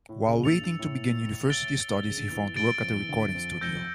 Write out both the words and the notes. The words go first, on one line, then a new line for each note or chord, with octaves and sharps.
While waiting to begin university studies he found work at a recording studio.
A2
C#2 C#3
A#1 A#2 E6 A6 C#7 F7
G2
A2
A6 D7 G7
C#3
D3
E2 E3
G2 G3 A6 D7 G7
F2 F3
E2 E3
D2 D3
F2 F3
F2 F3 E6 G6 A#6 C#7 G7